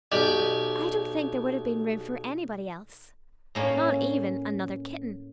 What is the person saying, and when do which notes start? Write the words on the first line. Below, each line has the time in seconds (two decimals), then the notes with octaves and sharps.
I don't think there would have been room for anybody else, not even another kitten.
0.12 B1 G4 D5 G#5
3.55 A2 A#3 C#4